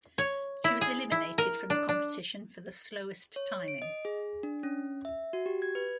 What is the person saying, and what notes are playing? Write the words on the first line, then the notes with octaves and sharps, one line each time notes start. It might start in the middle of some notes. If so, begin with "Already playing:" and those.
She was eliminated from the competition for the slowest timing.
C#5
E4
G#4
E4
A#4
D4
D4
C#5
D7
D#5
G#4
D4
C#4
E5
F#4
G4
G#6
B4